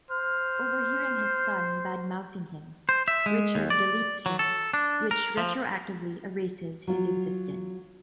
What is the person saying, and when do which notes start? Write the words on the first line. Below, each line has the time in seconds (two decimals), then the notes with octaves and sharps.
Overhearing his son badmouthing him, Richard deletes him, which retroactively erases his existence.
0.11 C5 F6
2.89 C5
3.08 E5
3.26 G#3
3.55 D#2
3.70 D5
4.26 F#3
4.39 A4
4.74 D4
5.11 A#4
5.37 F3
6.87 F#3 F4